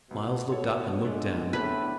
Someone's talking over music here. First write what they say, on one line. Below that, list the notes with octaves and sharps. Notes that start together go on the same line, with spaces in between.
Myles looked up and looked down.
C#2 B2
A4 C#5
D3 G#3 B3
A2 C4 D4 E4 B4